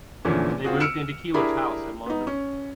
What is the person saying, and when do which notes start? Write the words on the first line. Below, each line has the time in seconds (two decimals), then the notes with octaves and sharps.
They moved into Keiller's house in London.
0.25 E2 A#2 D3 E3 F3 C#4
0.64 C4 F4 F#4 G#4
0.80 E6 F6 C#7 D7 E7
1.34 D4 E4 G4 G#4 A#4 B5
2.06 B3 D#4
2.27 C#4